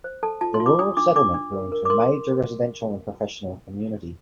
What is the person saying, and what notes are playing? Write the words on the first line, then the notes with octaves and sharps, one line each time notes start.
The rural settlement grew into a major residential and professional community.
C5
A4 A5
F4 A5
C6
F4
D6
D4 D#6
D4 D6
D4 D6
D4
A#4
A#4
D6
A#4 C6